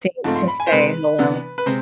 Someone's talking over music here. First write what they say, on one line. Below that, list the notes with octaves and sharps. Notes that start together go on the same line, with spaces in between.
think to say "hello".
G#2 F3 A3 C4 A5
C6
B5
G#5
C5
C3 G#3 C4 B4
C3 E3 B3 D4
B4
C3 G#3 C4 C5